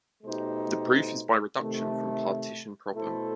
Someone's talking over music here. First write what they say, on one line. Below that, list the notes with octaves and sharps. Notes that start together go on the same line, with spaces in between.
The proof is by reduction from partition problem.
B2 A3 D#4 G4 C5
C3 D#3 A3
B2 A3 E4 A4 C5